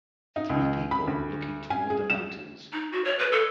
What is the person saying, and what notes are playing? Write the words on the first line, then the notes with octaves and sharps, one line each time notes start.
Three people looking toward the mountains.
D#4
C#2
B5
D2
G#5
G#4
E7
D#4
F#4
C#5
B4
A4